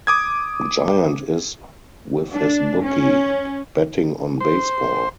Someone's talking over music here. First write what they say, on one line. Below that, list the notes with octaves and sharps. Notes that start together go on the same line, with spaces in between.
Giant is with his bookie, betting on baseball.
D6 D#6 G#6
D4
C#4
C5